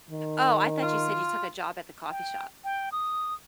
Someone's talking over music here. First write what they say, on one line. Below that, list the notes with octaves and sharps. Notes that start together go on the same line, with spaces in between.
Oh, I thought you said you took a job at the coffee shop.
D#3
F4
G5
G5
D#6